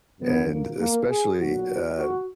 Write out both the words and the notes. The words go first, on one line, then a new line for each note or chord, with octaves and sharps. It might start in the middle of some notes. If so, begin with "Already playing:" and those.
and especially, uh
F#2 D3 F3 B3
A#3
A#3
G#4
B1 A#2 F#3 F#4
F#4